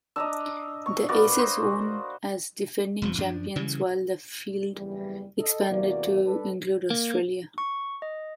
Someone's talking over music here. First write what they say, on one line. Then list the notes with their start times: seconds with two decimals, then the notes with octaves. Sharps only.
The Aces won as defending champions while the field expanded to include Australia.
0.16 D4 D#5 A#5 E6
0.86 C#6
1.09 A#3 B3 F#4 D5 B5
1.38 C5 D#6
3.02 E1 F2 F3
3.18 F#2 F3 D4
3.56 C#3 E3 G3
4.76 F#1 E2 E3 G3
5.39 A4 D#5
5.69 E2 C3 A#3 F#4 D5
6.25 G3 D4 A4 B4
6.90 A#3
7.58 C#6
8.02 D#5